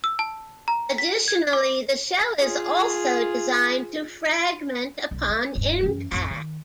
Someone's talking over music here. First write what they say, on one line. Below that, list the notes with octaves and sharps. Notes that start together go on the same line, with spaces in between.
Additionally, the shell is also designed to fragment upon impact.
E6
A5
A#5
B6
G#6
D6
F4 G#4
B1
G#3 F4
D#1 G2
F#2 E3
A1 F2
D#3